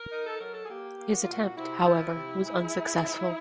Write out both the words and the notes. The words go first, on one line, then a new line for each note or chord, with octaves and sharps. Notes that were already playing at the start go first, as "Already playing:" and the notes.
His attempt, however, was unsuccessful.
Already playing: A#4
D#4
A4
F#3 A#4
A4
G#4
A#3 G4
A#3
F#4
F4
A#2 F#4
C3 E4
F3
C3
G#3
G#3
F3